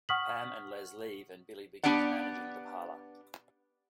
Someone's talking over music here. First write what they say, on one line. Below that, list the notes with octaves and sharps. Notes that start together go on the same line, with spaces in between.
Pam and Les leave and Billy begins managing the parlour.
F#5 C#6 D#6 F6 B6 F#7
B3 D4 G4 D5 F#5